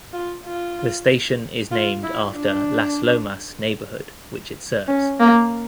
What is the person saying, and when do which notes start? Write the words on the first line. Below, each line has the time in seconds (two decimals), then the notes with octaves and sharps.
The station is named after "Las Lomas" neighborhood which it serves.
0.13 F4
0.45 F4
1.71 F4
2.03 E4
2.35 D4
4.88 C#4
5.20 A#3